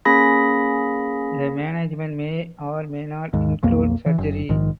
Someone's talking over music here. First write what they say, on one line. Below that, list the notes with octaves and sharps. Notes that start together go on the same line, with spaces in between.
The management may or may not include surgery.
A#3 C#4 G#4 B5 A#6 B6
D#2 G#2
B1 F2 A#3
E3
F#1
A#1 G#2 D#3